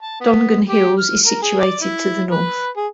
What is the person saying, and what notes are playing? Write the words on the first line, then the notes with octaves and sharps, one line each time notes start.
Dongan Hills is situated to the north.
A5
B3
G4
F6
A#4
G#4
D5
E4
B4
G#4